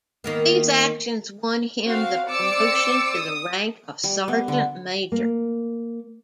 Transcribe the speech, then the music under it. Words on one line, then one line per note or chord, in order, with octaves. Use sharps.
These actions won him the promotion to the rank of Sergeant Major.
D#3 A#3 B3
C4 F#4 F5
C4 D5 D6 E6 C#7
D#6
G3
B3
D3
A#3